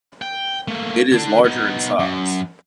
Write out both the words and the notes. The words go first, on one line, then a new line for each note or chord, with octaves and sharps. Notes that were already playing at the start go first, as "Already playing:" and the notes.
It is larger in size.
G5
A3 A#3
D3 D4
B3 D#4
F#2